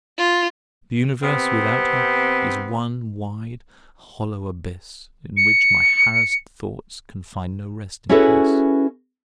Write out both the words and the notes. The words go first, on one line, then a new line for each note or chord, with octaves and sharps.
The universe without her is one wide, hollow abyss, in which my harassed thoughts can find no resting-place.
F4
C3 B3 C4
C#7
C#4 E4 F#4 G#4 A4 B4